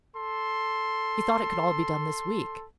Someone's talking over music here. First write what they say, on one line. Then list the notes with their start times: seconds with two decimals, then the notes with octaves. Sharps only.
He thought it could all be done this week.
0.16 A4 C6